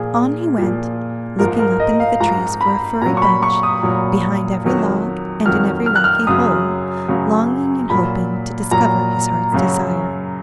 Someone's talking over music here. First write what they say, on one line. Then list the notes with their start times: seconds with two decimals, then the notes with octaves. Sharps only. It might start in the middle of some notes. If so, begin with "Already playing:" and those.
On he went, looking up into the trees for a furry bunch, behind every log, and in every rocky hole, longing and hoping to discover his heart's desire.
Already playing: A#2 F3 G#4
0.58 A#2 F3
1.39 G#2 F3 A#4
1.59 A#4
1.80 D#5
2.00 F5
2.20 G#2 F3 A#5
2.61 B5
3.02 A#2 F#3 A#5
3.17 C#6
3.22 B5
3.43 C#6
3.63 D#6
3.83 A#2 F#3
4.64 F2 D#3 F#3
5.46 F2 D#3 F#3 F6
5.86 F6
5.95 F#6
6.04 F6
6.27 F#2 C#3 F#3 D#6
7.08 F#2 C#3 F#3
7.90 A#2 F#3 B5
8.71 A#2 F#3 A#5
9.52 F#2 C#3 F#3